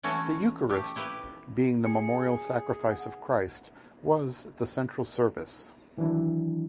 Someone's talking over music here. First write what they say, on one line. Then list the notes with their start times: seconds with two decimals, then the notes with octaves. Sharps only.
The Eucharist, being the memorial sacrifice of Christ, was the central service.
0.03 E3 A3 C#4 E4 F#4 C#5
0.69 A3 G4
0.96 E4 G4 B4
1.86 G#4 C#7
2.91 F#5
5.97 D#3 E3 F#3 D4 E4